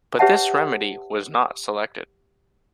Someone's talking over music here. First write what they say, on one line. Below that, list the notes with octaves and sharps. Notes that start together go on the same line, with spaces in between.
But, this remedy was not selected.
G4 B4 C#5 E5 F#5 A5